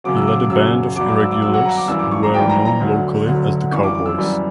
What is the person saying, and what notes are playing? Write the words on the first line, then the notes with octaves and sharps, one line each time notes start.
He led a band of irregulars who were known locally as the 'cowboys'.
F#2 C#3 F#3 D6
E6
D6
D6
F#2 C#3 F#3 E6
G2 F#3 D6
D6
E6
D6
G2 F#3 E6
F#5
A#5
D6
F#2 E3 G3 E6
D6
C#6
A#5
F#2 E3 G3 G5
A#5
A#5
D2 D3 F#3
D2 D3 F#3
F#2 E3 G3 C#6
D6
D6
E6
F#2 E3 G3